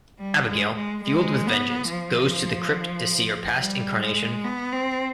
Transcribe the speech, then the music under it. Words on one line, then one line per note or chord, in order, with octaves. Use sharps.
Abigail, fueled with vengeance, goes to the crypt to see her past incarnation.
G3
G#3
G#3
G#3
B3
F3
G3
G#3
B3
C4